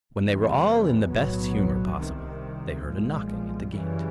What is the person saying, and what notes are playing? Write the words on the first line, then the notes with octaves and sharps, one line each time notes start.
When they were all in the best humour possible, they heard a knocking at the gate.
E2 C3 E3 G3
B1 A2 F#3 B3
C2 C3 D#3
B1 A#2 F3 G#3
F#2 C#3 E3 G3